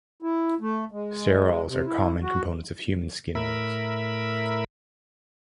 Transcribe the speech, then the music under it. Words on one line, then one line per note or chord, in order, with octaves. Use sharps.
Sterols are common components of human skin oils.
E4
A3
G#3
C3
E4
F#4
A2 A#4 E5 B5